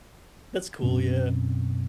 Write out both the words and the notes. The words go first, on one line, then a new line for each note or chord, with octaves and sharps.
That's cool, yeah.
F#2 B2 C4 C#4